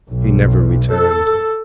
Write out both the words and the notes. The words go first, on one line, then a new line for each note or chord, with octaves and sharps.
He never returned.
B1
A4